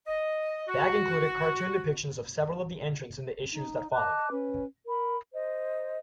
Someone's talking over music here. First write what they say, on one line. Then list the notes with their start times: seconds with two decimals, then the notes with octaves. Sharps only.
Bagge included cartoon depictions of several of the entrants in the issues that followed.
0.07 D#5
0.68 F#4
3.51 D#4
3.93 D#5 A5 D6 F#6
4.30 C#4 B4
4.86 A#4 B5
5.32 C5 D#5